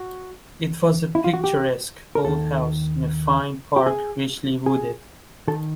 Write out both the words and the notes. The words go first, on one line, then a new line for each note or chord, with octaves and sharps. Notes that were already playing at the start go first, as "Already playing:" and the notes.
It was a picturesque old house in a fine park richly wooded.
Already playing: F#4
E4
F4
F#4
G4
A#4
D#2 D#3 A4
G4
G#4
G#4
D#3 A4